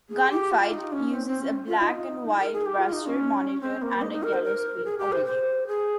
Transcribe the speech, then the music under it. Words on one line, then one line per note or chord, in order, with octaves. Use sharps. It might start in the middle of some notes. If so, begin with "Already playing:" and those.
"Gun Fight" uses a black-and-white raster monitor and a yellow screen overlay.
G#4
G4
F4
D#4
C#4
C4
C4
C#4
F4
D#4
A#4
G#4
G4
F4
D#4
C#4
C4
A#3
D#4
D#4
A#4
C5
A#4
G#4
G4
C5
C5
G#4